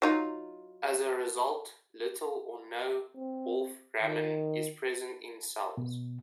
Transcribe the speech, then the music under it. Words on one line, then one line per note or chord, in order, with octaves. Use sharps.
As a result, little or no wolframin is present in cells.
F#3 D#4 F4
C4
D#3
B2